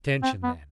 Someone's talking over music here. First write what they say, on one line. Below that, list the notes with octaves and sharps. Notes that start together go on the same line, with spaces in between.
"Attention, then!"
C4
B3